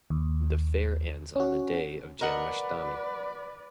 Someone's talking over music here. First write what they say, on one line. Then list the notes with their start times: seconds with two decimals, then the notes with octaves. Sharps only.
The fair ends on the day of Janmashthami.
0.10 D#2
1.36 C#4 F#4
2.21 A#4 B4 D5 D#5 F#5